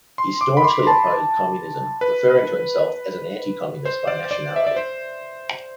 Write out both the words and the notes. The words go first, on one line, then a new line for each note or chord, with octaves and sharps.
He staunchly opposed communism, referring to himself as an "anticommunist by nationality".
C6
D6
B5
C6
A5
B4
C5
D5
D5
E5
D5
C5